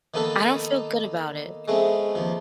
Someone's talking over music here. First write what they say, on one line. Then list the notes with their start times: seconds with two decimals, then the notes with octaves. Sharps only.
I don't feel good about it.
0.14 D#3 A#3 B3 D#4 A4 B4
1.68 G#3 A3 B3 C4
2.15 D#2 F3